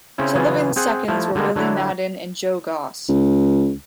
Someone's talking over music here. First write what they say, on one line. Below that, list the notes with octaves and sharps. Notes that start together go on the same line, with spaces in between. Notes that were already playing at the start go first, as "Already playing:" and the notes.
Sullivan's seconds were Billy Madden and Joe Goss.
C#3 C4 C#4 E4
C#3 E3 F#3 F4 G#4 B4
C4 G#4 F#5
F3 A3 E4
D3 G3 G#3 A#3
D3 F#3 D4 E4
C#2